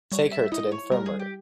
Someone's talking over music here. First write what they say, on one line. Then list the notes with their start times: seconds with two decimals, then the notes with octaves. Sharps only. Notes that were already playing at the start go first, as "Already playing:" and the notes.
Take her to the infirmary.
0.12 G3 C#5
0.32 E5
0.52 E4 D#5
0.72 C#5
0.91 G3 A#4
1.06 G#4
1.19 G4